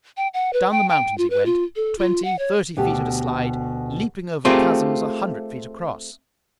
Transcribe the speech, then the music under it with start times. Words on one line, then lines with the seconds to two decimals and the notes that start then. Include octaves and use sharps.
Down the mountains he went, twenty, thirty feet at a slide, leaping over chasms a hundred feet across.
0.17 G5
0.34 F#5
0.53 B4
0.71 G5
0.89 G5
1.18 F4
1.30 B4
1.46 F4
1.76 A4
1.99 F4
2.24 F#5
2.39 C#5
2.77 D2 B2 G4
4.45 A3 C4 F4 G4 G#4 A#4